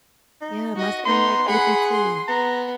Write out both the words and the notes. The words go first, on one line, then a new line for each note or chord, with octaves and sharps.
Yeah, my son like Blippi too.
D#4
F#4 D#5
B3 D#4 C6
G#4 F#5 B5
C6
B3 A#5